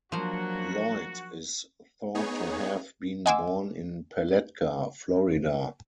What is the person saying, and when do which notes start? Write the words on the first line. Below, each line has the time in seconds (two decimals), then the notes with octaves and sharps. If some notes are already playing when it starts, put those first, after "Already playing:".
Lloyd is thought to have been born in Palatka, Florida.
0.12 F3 F#3 A#3 D4 F#4 C5
2.15 B3 D#4 G#4 C#5
3.26 D#5 F#5 G#5 C6 D6 E6